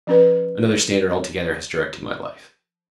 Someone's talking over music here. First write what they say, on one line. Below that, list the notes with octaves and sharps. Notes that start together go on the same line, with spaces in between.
Another standard altogether has directed my life....
F3 C#4 B4